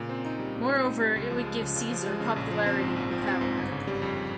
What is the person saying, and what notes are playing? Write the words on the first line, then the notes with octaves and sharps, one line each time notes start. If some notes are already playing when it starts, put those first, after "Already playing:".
Moreover, it would give Caesar popularity and power.
Already playing: A#2 C#3
C4
D#4
G3
A#2
C4
D#4
G3
C#2
F3
G#3
C#3
C#2
F3
G#3
C#3
A#1
F3
C4
G#2
A#1
F3
C4
G#2
G1
C#3
G3
F2